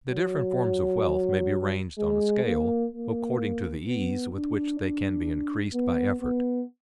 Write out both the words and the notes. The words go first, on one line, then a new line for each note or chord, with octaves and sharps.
The different forms of wealth may be ranged on a scale according to the ease with which they can be increased by effort.
F#3
G#3
A#3
A#3
B3
D4
D4
B3
B3